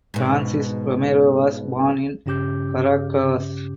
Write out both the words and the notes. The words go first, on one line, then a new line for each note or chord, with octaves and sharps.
Francis Romero was born in Caracas.
G#2 B2
G2 C#3 C#4 G4 D6 G6